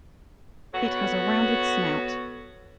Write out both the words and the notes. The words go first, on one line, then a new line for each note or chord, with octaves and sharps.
It has a rounded snout.
B3 F#4 A4 C#5